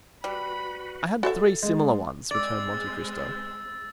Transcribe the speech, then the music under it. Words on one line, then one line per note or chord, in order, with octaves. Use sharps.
"I had three similar ones," returned Monte Cristo.
G3 F#4 B4 B5
F#4 A4 E5 A6
G#3
G#3 C4 C5 D5 E6 A6